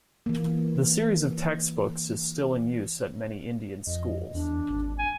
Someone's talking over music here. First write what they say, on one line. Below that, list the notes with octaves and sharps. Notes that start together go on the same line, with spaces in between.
The series of textbooks is still in use at many Indian schools.
E3 A#3
F2 D#5
E2 D4
G#1
G#5